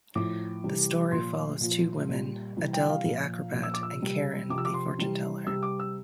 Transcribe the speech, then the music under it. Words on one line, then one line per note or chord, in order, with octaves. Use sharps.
The story follows two women, Adele the acrobat and Karin the fortuneteller.
A2 F3 D6
C3 E3 G3
A#2 F3 C6
A#2 F3
A#2 G3
C3 E3 G3
G5
F5
A#2 F3
A#2 F3
E6
D6
E6
C3 G3
C3 F3 D6 E6
D6
C6
C3 E3 G3
C3 G3 E6
D6
E6